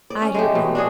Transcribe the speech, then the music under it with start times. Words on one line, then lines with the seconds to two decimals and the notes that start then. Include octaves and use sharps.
I don't know.
0.10 D5
0.22 C#4
0.34 G#3 A3 G4
0.55 B2
0.75 D4 F#4 G#4